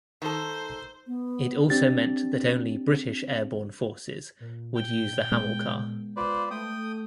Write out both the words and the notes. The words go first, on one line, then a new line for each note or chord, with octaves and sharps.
It also meant that only British airborne forces would use the Hamilcar.
D#3 A4 C5
B3
C4 D4 G4 A6
A#2
G5
G#3 B3
F4 B4 C5 D5
A3 G5 D#6